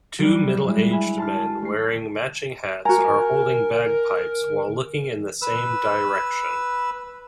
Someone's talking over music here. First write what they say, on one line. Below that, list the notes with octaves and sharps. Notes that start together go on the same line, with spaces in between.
Two middleaged men wearing matching hats are holding bagpipes while looking in the same direction.
F#3 G3 D4
G3 G#3 E4
E5 G#5 B5 E6
A5 C6 F6
A3 C7
F#4 A#4 G#5 A#5
B4 E6